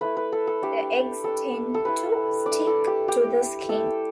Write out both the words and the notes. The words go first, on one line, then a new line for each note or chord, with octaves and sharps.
The eggs tend to stick to the skin.
A3 E4 B4
B4
A4
A4
A3 D4 G4
G3 D4 A4
A4
G3 E4 B4
D4 D5
A3
A4
G4
A3 E4 G4
A3 E4 A4